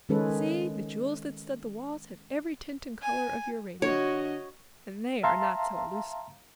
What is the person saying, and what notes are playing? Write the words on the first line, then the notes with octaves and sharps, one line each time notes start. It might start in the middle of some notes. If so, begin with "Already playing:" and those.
See! the jewels that stud the walls have every tint and color of your Rainbow--and they are not so elusive.
D#3 G#3 C#4 A4 B4
G#5
D3 F#4 C#5 D#5
E5 F5 A5 A#5 C6